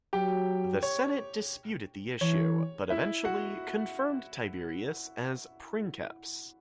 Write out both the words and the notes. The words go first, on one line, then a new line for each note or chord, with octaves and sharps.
The Senate disputed the issue but eventually confirmed Tiberius as "princeps".
F#3 G4 G5
C#5
E3 C#5
E4 E5
F#4 F#5